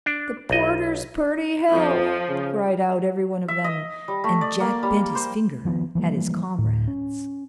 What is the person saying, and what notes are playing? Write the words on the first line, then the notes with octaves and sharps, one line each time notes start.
"The porter's purty health!" cried out every one of them, and Jack bent his finger at his comrades.
D4
B1 D#5
F2 F3
C#3
E5
D#5
G3
A3
D5
A#3
G3
C5
D#3 F3 A#3 B3
E3 F3 G3 A#3
D1 A2
C#4